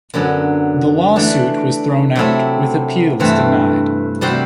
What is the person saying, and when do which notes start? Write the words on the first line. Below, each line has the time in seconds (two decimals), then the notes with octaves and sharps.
The lawsuit was thrown out, with appeals denied.
0.14 F#2 D3 F#3 B3
1.16 E3 A3 D4
2.16 C3 F#3 A3 C4 E4
3.20 G2 E3 A3 C4
4.21 C3 G3 C4 F#4 C5